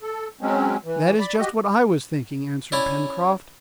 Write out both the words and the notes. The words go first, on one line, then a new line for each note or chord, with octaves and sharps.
"That is just what I was thinking," answered Pencroft.
A4
F#3 G#3 C4 C#4
E3
D5 B5
F#4 G4 D#5
C#4 E4 D5